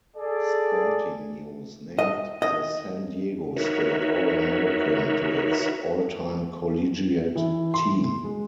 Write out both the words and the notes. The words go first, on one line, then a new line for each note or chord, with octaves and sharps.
Sporting News named the San Diego State All-American to its All-Time collegiate team.
G#4 A4 D5
D#5
D#5
D#4 F#4 A#4 B4 C#5 E5
E3
C6
G#3